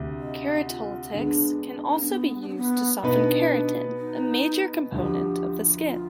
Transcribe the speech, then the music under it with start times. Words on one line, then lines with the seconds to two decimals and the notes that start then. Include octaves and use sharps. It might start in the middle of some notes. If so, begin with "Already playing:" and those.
Keratolytics can also be used to soften keratin, a major component of the skin.
Already playing: D2 C3
0.20 D#5
0.67 F4
1.14 D3 G#3 B3 D4
1.93 D4
2.00 C4
2.08 B3
2.41 D4
2.49 C4
2.56 B3
3.03 B2 B3 D4 D#4 B4
3.98 D#4
4.92 D2 D3 F3 G4
5.87 F4